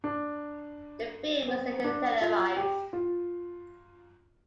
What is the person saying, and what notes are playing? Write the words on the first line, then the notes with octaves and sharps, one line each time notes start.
The film was later televised.
D4
C4
D4
F4
G4
F4